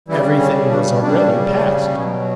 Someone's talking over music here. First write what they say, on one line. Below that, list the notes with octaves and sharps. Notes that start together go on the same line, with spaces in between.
Everything was already past.
C#3 E3 G3 E4
C#4
D4
C#3 G3 D4
B2 F#3 C#4